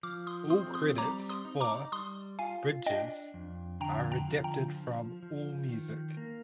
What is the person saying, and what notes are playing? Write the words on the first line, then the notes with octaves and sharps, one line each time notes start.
All credits for "Bridges" are adapted from Allmusic.
F3 D6 F6
C6 D#6
C4 C6 D#6
C6 D#6
G3 A#5 D6
C6 D#6
D#4
A#5 D6
G3 C6 D#6
F4 F5 G#5
D4 D#5 G5
F2
D3 G5 A#5
G5 A#5
F3
G5 A#5
F3
F3
D#3
A#3